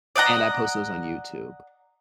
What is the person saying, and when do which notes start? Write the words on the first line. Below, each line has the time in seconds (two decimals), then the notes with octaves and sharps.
and I post those on YouTube,
0.16 D5 D#5 F#5 A#5